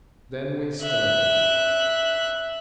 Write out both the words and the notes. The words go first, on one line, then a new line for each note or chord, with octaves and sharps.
Then we started.
E5 F#6